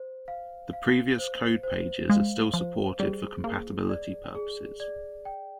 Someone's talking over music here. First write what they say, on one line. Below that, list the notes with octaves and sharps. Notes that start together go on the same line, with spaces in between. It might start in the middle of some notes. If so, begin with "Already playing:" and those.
The previous code pages are still supported for compatibility purposes.
Already playing: C5
F5
F5
C5
C5
G#3 F5
F3 C5
G3 G#4
A#3 G#4
D5
G#4
D5
G5